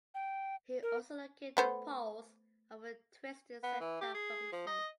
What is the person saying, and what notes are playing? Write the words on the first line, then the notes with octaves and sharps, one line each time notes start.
He also located the poles of the twisted zeta function.
G5
A#4
A3 B3 C5
B3
E3
G4
G#4
F3
D#5